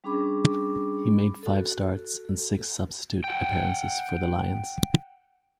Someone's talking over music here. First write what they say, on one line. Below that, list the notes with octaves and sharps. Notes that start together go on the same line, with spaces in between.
He made five starts and six substitute appearances for the Lions.
G3 C#4 D4 G#4 B5 D6
F#4 A4
F#5 G5